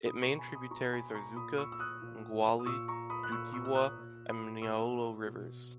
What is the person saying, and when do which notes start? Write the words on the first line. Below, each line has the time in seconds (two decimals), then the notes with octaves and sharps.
It main tributaries are Xuka, Mgwali, Dutywa and Mnyolo rivers.
0.06 B2 B5 D#6
0.22 A#5 C#6
0.39 G#5 B5
0.55 B5 D#6
0.71 B2 A#5 C#6
0.93 G#5 B5
1.09 B5
1.14 A#5 C#6
1.36 A#2 B5 D#6
1.58 C#6 E6
1.72 E6
1.79 D#6 F#6
2.02 A#2
2.59 D#6
2.66 A#2 C#6 E6
2.88 A#5 C#6
3.10 B5 D#6
3.23 F#6
3.31 A#2 C#6 E6
3.53 C#6 E6
3.65 E6
3.75 D#6 F#6
3.97 A#2
4.29 B5 D#6
4.62 A#2 C#6 E6
5.27 B2